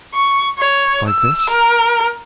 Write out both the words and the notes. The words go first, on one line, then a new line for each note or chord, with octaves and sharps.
"Like this?"
C#6
C#5
E6
A#4